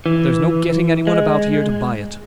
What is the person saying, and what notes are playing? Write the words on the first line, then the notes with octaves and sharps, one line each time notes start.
There's no getting any one about here to buy it.
E3
G#3